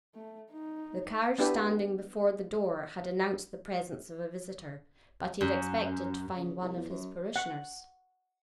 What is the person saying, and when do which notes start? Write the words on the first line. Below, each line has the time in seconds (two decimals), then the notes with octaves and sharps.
The carriage standing before the door had announced the presence of a visitor; but he had expected to find one of his parishioners.
0.15 A3
0.52 D#4
1.38 B3 D4 E4 G4 B4
5.41 F#2
6.37 C#3
6.62 C2
6.76 E2
6.90 F#2
7.36 F#5